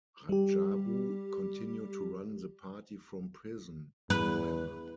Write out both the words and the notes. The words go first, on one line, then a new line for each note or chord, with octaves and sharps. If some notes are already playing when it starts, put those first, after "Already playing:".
Radjabu continued to run the party from prison, however.
G3 G4
E2 B4